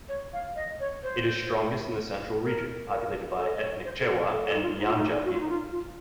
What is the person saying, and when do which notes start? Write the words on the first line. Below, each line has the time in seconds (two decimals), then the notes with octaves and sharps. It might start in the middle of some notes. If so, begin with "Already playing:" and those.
It is strongest in the central region, populated by ethnic Chewa and Nyanja people.
0.09 C#5
0.33 F5
0.56 D#5
0.80 C#5
1.03 C5
2.43 A#4
2.91 A#4
3.37 A4
3.60 C#5
3.85 C5
4.00 A#4
4.31 A4
4.46 A4
4.54 D#4
4.62 F4
4.78 D#4
4.86 F4
4.95 D#4
5.25 F#4
5.32 F4
5.40 D#4
5.49 F4
5.71 F4